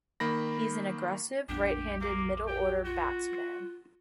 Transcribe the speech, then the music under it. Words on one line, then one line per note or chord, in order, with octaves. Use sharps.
He is an aggressive right-handed middle order batsman.
D#3 A#3 B5 A#6
A#1 F2 B3 D4 G4
A#3 D6
G4 G5
F4 F#4